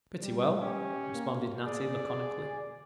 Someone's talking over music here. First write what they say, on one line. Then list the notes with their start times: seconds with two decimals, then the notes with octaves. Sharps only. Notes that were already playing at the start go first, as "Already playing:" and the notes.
"Pretty well," responded Natty laconically.
0.21 G3
0.61 C#4 G4
1.14 A#3
1.66 G#4 D5